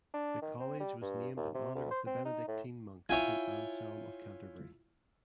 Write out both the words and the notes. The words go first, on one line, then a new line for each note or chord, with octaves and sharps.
The college was named in honor of the Benedictine monk Saint Anselm of Canterbury.
D4
D#3
C4
G3
G2
D#2
C3
D2
C5
C4
D#4
A2
E4 F4 C#5 G5 G#5